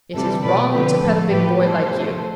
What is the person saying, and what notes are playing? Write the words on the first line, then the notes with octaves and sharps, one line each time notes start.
It is wrong to pet a big boy like you.
C3 E3 G3 A4
B2 A3 B4 D5
D3 F3 A3 G4 B4
A2 F3 A3 A4
A2 F3 A3 G4 B4
B2 G3 A4 C5
C3 F3 A3